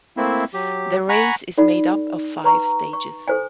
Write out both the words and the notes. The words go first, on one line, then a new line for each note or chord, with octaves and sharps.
The race is made up of five stages.
A3 A#3 C4 E4
F#3 G4
F#5 G#5 A#5 B5 C#6 F#6
D#4 A4 D5 F#5 B5
B4 A#5 C#6
C#6
A4 C5 G#5